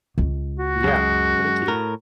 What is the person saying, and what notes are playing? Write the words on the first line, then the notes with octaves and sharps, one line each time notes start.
Yeah, thank you.
C#2
F#4
F#2 G#3
A2 A#4